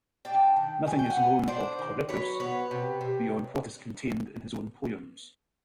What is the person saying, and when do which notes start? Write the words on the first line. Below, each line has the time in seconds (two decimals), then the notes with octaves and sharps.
Nothing is known of Corippus beyond what is contained in his own poems.
0.25 D4 G5 A5
0.56 D#3
0.86 F#3 G#5
0.99 G5
1.10 F#5 G#5
1.17 B3
1.48 D4 C5 D5
1.79 D#3
2.09 F#3 B4 C#5
2.40 B3 B4 C#5
2.71 C3
3.01 C3